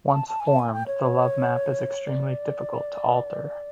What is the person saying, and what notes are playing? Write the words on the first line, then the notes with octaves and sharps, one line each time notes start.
Once formed, the lovemap is extremely difficult to alter.
A5
A5
G#5
A5
G#5
G5
C#5
D5